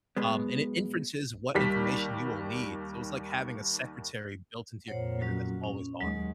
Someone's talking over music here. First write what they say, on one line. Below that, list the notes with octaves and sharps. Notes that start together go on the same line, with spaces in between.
um, and it inferences what information you will need, so it's like having a secretary built into your computer that's always on.
B1 B2 G#3 B3
D#2 G3 B6
F2 A#2 C5 C#5 F#5
F#3 C#4 F#4
C#4
D#2 F#3 G#3